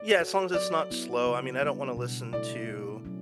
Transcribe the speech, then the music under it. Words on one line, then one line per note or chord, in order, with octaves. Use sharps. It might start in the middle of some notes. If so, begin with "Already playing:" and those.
Yeah, as long as it's not slow, I mean, I don't wanna listen to,
Already playing: D5
F#4 A4 C#5
F#3 D5
B3 E4
C#3
G3 B3 D4
B2
A3 E4 A4 D5
B2
F#3 C#4